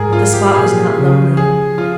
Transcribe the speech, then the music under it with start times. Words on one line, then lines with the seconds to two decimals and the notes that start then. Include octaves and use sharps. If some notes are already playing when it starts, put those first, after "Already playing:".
But the spot was not lonely.
Already playing: G#2 G#4 A#4
0.13 F4
0.34 G4
0.54 A#2 G#4
0.95 C#3
1.37 F3 G#4
1.78 F4